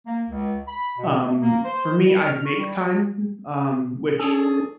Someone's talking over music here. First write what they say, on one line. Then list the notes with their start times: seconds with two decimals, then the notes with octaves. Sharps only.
um, for me, I make time, um, which,
0.07 A#3
0.29 C#2
0.68 B5
0.98 B2
1.20 A3
1.41 A#3
1.64 C5
2.06 G3
2.25 F6
2.45 C#6
2.57 G3
4.20 C#4 D4 G#4 A4